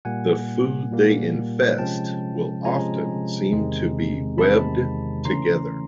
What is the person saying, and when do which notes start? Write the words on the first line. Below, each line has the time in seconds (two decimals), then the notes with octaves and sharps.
The food they infest will often seem to be webbed together.
0.05 A#2 G3 A#3 F#5 G#5
0.91 A#2 G3 A#3
1.78 C3 F3 G#3 C#4 G5 A5
2.65 C3 F3 G#3 C#4 G#5 A#5
3.52 E2 C3 D#3 G#3 C4
4.38 E2 C3 D#3 G#3 C4 A5 B5
5.25 C#3 E3 A3 C#4 A#5 C6